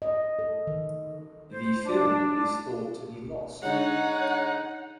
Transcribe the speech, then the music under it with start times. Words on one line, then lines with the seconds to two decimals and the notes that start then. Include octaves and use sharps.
The film is thought to be lost.
0.02 D#5
0.39 A4
0.67 D#3
1.50 C5
1.84 D4
3.62 D3 G#3 D#4 C#5 F#5